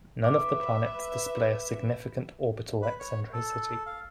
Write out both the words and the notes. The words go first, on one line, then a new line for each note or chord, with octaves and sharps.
None of the planets display a significant orbital eccentricity.
B4 E5 D6
B4
C#5
A4
F5